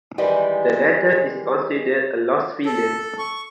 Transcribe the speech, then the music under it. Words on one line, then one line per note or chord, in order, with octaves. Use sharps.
The latter is considered a lost film.
D#3 E3 G3 G#3
A4
C#6